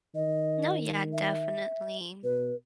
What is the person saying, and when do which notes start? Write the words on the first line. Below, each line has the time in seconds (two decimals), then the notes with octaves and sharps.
No, yeah, definitely.
0.15 D#3 D#5
1.13 E5
2.24 B2 B4